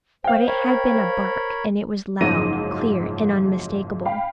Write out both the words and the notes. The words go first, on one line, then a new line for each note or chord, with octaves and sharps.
But it had been a bark and it was loud, clear, and unmistakable.
C5 F5 G5
A#4 C#5 B5
F#1 G#2 F3 F#3 A#6 D#7
F5 G5 B5